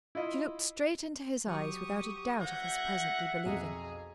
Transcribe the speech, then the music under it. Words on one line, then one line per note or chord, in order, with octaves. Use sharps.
She looked straight into his eyes without a doubt of his presently believing her.
E4 F4 D#5
F#3 G4 C#6 D#6
E5 F#5 G6 G#6 A#6
B1 F2 G#4 A#5